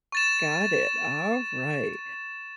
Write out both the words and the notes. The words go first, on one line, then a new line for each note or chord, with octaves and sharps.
got it, all right.
C#6 A6 E7